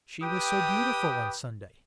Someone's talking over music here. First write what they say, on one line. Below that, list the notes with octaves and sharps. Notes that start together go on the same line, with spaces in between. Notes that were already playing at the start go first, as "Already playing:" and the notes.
She was so beautiful on Sunday.
G4 B4 G5 D#6